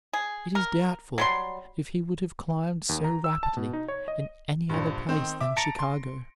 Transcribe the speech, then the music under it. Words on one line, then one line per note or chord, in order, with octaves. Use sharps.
It is doubtful if he would have climbed so rapidly in any other place than Chicago.
G#4
A#4
F#3 G3 C6
D#2
A#5
E6
A5
B2
D#4
C#5
D#5
A#1 G2
D#3 C4
E5 D6
A5 A#5 A6 A#6 C#7 D7
C6